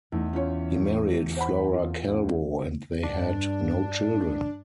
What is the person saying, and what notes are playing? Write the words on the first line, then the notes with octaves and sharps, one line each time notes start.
He married Flora Calvo and they had no children.
E2 A3 D#4
C#4 F4 C#5
C5 F#5 B5
F4
C#2
G2 D4